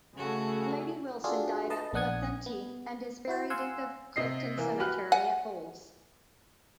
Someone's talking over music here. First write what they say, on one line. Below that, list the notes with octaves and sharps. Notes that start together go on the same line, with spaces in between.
Lady Wilson died at Lethenty and is buried in the Clifton Cemetery at Bulls.
C#3 A3 F#4 G#4 A4
D4 F4 F#4 G#4 A4
B4 D#5 A5
A#1 B3 D4 F#5 D#6 G#6
B3
E4 F#4 C5
F5 F#5 G#5 C6 E6
C3 D#5 C7
E3 A#3
F#4 G4 B4 B5 F6 F#6
F#5 G#5